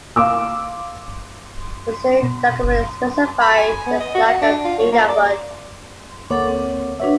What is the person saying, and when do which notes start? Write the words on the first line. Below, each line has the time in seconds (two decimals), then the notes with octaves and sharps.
The same document specified the flag of Nunavut.
0.16 F5 C6 D6 E6
2.23 B2
3.41 B5
3.57 G#5
3.87 B3
4.00 D#5
4.15 F#4
4.28 F#5
4.41 D4
4.65 F4
4.80 C#5
4.92 A#3
5.08 D5
6.30 D2 A#3 A4 C#5 F#5 D6
6.49 C4
7.00 D4 F#4 B4 C#5 E5 F#5